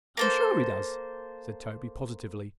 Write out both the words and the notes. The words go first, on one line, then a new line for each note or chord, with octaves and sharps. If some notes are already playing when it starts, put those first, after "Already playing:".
"I'm sure he does," said Toby, positively.
A#3 A4 C5